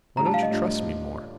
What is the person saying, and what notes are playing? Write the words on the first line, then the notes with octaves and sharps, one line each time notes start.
Why don't you trust me more?
A2 G3 D4 F4 A#5
A5
F5
D#5
A2 G3 D4 F4